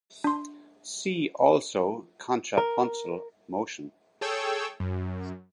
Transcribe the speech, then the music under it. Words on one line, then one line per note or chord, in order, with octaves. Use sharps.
See also contrapuntal motion.
D4 C6
A#4
G#4 A4 C#5 G5 E6
F#2